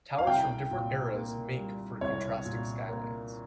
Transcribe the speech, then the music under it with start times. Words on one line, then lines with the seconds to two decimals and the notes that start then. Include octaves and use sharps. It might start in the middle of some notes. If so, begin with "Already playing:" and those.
Towers from different eras make for contrasting skylines.
0.18 F5
0.27 C2 G5
0.71 A#2
1.14 A#3
1.57 G3
2.01 C2 C#5
2.45 A#2
2.89 A#3